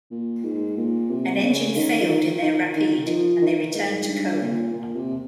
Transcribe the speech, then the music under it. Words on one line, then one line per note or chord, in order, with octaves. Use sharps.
An engine failed in their Rapide and they returned to Coen.
A#2
G#2
A#2
C3
C#3
D#3
F3
D#3
D#3
D#3
F3
D#3
G#2
G2
A#2
A#2
C3